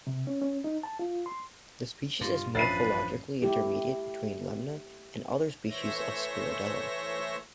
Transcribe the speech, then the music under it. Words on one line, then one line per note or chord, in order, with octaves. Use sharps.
The species is morphologically intermediate between "Lemna" and other species of "Spirodela".
C3
C#4
C#4
D#4
A5
F4
C6
G2 F4
A1 F#2 F3 D4 B4 A6 C7 D#7
A3 E4 G4
E3 A3 C5 C#5 E5 A#6